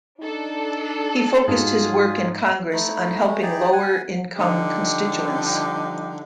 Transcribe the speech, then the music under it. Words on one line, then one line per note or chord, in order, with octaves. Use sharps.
He focused his work in Congress on helping lower income constituents.
D4 D#4 A4
G#2 F4 F#4 G#4
A3 D#4 E4
G#3 A3
D#4 G4 G#4 D5
F#5 G#5
D3 F3 G3 D#4 G4